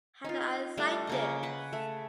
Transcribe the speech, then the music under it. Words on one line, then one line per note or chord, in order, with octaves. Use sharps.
How do I cite this?
D#4 F4
G3 A3 D4
C#3 A#3 D#5
B4 F#5
A3